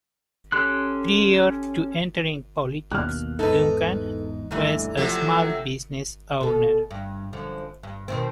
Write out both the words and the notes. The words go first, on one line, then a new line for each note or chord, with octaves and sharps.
Prior to entering politics, Duncan was a small business owner.
C#4 G4 A4 C6 F#6
D#2 B2 F6 F#6
E2 G#2 D#4 A4 B4
D2 G2 A#2 D3 E3
C3 F3 F#3 A3
B2 A4
G2
F#2 D3 F3
G2
B2 D#3 C4